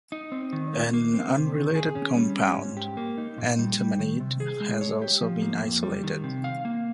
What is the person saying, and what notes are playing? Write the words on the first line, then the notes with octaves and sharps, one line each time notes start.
An unrelated compound, antamanide, has also been isolated.
D#4
C4
D#3
A#3
A#3
C4
C3
D#3
G#4
C#4
G3
C#4
G#2
G4
A#3
D#4
A#2
G3
G3
D#3
C3
G#4
G#3
C#5
G4
F3
A#3
F2
G3
D#3
C3
F5
A#3